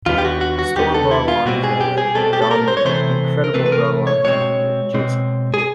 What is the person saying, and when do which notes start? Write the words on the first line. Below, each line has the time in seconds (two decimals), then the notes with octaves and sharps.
Storm brought along his valet, Dawn Marie, and Credible brought along his manager, Jason.
0.06 D#2 D3 G3 B3 F4
0.18 G4
0.25 F#4
0.41 F#4
0.59 F#4
0.76 D#2 D3 G3 B3 G4
0.94 A4
1.11 E4
1.28 F4
1.46 B2 G3 C4 F#4
1.64 G#4
1.81 G4
1.98 G#4
2.15 B2 G3 C4 A4
2.33 G4
2.42 A4
2.51 A#4
2.68 C5
2.77 C#5
2.85 C3 E3 A3 C4 C5
3.44 A#4
3.54 C3 E3 A3 C4 B4
3.66 B4
3.72 A#4
4.07 C#5
4.24 B2 G#3 C4 C#5
4.94 B2 G#3 C4
5.54 G#4